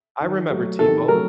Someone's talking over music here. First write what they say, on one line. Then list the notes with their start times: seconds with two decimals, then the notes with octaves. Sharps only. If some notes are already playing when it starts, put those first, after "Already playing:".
I remember TiVo.
0.22 D#3
0.50 F#3 A3
0.79 D#3 A4
1.08 F#3 A3 A#4